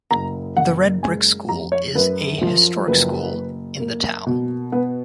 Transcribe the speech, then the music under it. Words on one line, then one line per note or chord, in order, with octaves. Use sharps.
The Red Brick School is a historic school in the town.
F#1 A#5
F#1 F#5
G#3 G#5
F2 A#5
C#5
F#2 B4
F3
F#1 B4
F#1
A#3
B2
B3 B4